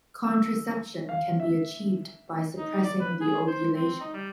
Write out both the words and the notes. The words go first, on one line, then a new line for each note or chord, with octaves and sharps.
Contraception can be achieved by suppressing the ovulation.
E6
F5
E5
D#4
D5
B4
G#4
C5
C4
D#4
G3